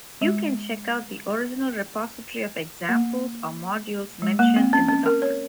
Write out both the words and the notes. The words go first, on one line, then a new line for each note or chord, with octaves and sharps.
You can check out the original repository of examples or modules mentioned in the docs.
G#3
A#3
G#3
A#3
C4
C#4
C#4
A#4
C#5